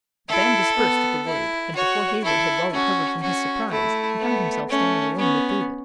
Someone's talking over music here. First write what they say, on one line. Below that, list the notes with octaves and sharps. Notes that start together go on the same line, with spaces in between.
The band dispersed at the word, and before Heyward had well recovered from his surprise, he found himself standing alone with David.
E4 A4
B3
E4
F#4 C#5
E4 A4
C#4 F#4
C#4 F#4
A3 E4
B3
A3 C#4
B3 C#4